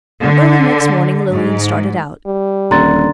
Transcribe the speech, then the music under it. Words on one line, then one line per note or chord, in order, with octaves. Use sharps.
Early next morning Lilian started out.
D3
G#2
G3
D#1 D3 A#5 C6 A6